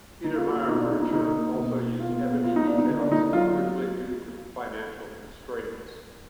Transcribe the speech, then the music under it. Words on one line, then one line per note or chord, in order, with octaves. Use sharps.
Biedermeier furniture also used ebony details, originally due to financial constraints.
D3 D#4
F4
A#3 F#4
F4
B2 D#4
D4
B2 D#4
D#4
D3 D#4
A#3
B2
B2
B3 F4
B3
B3 F4
D#4
B3 D4
D#4
D3
D4
D3 D#4
F#3 F4